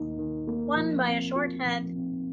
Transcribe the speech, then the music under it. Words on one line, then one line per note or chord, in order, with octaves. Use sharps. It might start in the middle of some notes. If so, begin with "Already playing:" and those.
Won by a short head.
Already playing: D#2 D#3 D#4
D#3
A#3
F3
C4
F4
F3
C4